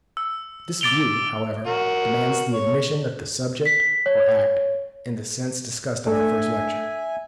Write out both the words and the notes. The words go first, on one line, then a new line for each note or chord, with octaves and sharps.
This view, however, demands the admission of the subject, or act, in the sense discussed in our first lecture.
E6
D6 A6 D7 F7 G7
F#4 A#4
C#5
B6
C#5
A3 D4 A4 E5 G#5